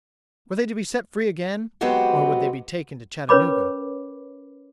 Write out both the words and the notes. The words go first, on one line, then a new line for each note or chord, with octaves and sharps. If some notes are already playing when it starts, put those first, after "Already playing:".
Were they to be set free again, or would they be taken to Chattanooga?
F#3 G#3 B3 C4 F#4 G4
C#4 A#4 B4 C#5 B5 D6